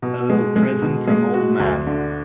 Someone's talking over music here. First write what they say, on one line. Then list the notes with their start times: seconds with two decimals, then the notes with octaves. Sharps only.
A little present from old man.
0.02 B2
0.29 G#3
0.56 G#3
0.82 B2
1.07 G#3
1.33 F#4
1.60 D2
1.86 D3